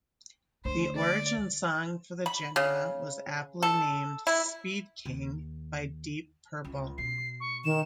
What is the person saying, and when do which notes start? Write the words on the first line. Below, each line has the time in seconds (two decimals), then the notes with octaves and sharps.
The origin song for the genre was aptly named "Speed King" by Deep Purple.
0.65 D2 C5
0.96 D5
2.26 B5
2.56 C#3
3.62 A4
4.27 E4
5.05 D#2
6.64 C#2
6.98 B2 C7
7.40 C#6
7.64 D#3 E7